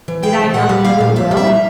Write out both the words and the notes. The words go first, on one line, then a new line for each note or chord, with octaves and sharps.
Did I not know it well?
E3
G#3 G5
C3
A#2 F#5
G3
A#3 F5
A#2
A#2 E5
G3
E5
A#3